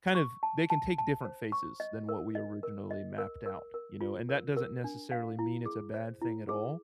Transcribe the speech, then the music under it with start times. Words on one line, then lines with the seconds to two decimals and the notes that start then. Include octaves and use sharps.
kind of they can take different faces than what we originally mapped out, you know? And that doesn't necessarily mean it's a bad thing at all.
0.15 C#6
0.43 A5
0.70 A5
0.98 A5
1.25 C5
1.52 C#6
1.80 D#5
2.09 A#4
2.35 D#5
2.63 A#4
2.91 D#5
3.18 A#4
3.46 A#4
3.74 A#4
4.01 F4
4.29 A#4
4.57 A#4
4.84 D4
5.12 F5
5.39 E4
5.66 G#4
5.94 C5
6.22 E4
6.49 G#4